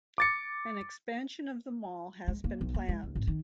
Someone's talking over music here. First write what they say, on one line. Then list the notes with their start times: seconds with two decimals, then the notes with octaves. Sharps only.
An expansion of the mall has been planned.
0.18 D6 A6 C#7
2.28 G#3
2.44 A#3
2.61 B1
2.74 A#3
2.89 G#3
3.03 C#2
3.15 G#1
3.27 D#3